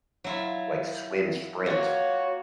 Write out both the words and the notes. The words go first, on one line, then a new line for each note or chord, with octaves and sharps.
like swim sprint
F#3 E4 F4
A#3 F4 F#4 C#5